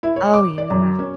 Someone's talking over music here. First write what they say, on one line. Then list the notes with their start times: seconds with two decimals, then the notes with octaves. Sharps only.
Oh, yeah.
0.03 E4
0.16 C#5
0.34 D6
0.58 D5
0.70 F#2
0.99 C#4